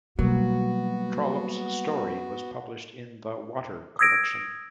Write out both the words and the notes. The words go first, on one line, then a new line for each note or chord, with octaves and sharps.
Trollope's story was published in the 'Water' collection.
B2 F#3 G3 A#3 B3 F#4
D#6 E6 G#6 A#6 D7